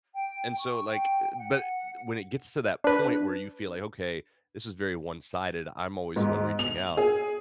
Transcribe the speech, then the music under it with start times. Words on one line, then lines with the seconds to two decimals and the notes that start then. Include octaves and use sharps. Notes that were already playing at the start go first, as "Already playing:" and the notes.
And so, like, uh but when it gets to that point where you feel like, "Okay, this is very one-sided, I'm always the one reaching out."
0.12 G5
0.57 C#6
0.86 G5
1.36 F#5
2.84 D4 B4
6.16 G#2
6.59 F7
6.97 G#4